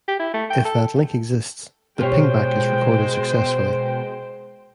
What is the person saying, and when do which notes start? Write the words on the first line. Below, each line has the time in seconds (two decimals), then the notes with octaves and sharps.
If that link exists, the pingback is recorded successfully.
0.08 G4
0.20 E4
0.34 A3
0.50 G5
0.65 A4
1.99 B2 G#3 F4 G4 C5 C#5 G5